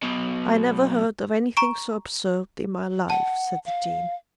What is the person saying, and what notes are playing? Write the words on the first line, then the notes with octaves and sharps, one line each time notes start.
"I never heard of anything so absurd in my life," said the Dean.
B1 B2
A#5 C#6 D7
F#5 A5
F5